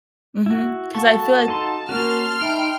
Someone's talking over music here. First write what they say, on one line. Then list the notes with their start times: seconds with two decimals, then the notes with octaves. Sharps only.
Mhm, 'cause I feel, like
0.46 E4 F#4
0.95 F#4 A4 F5 F#5 A5 C#6
1.48 D#4 A4 C6
1.89 A#3 C#4 F#4 A#4 C6 F6
2.41 D#4 E5 G5 A5 B5 D7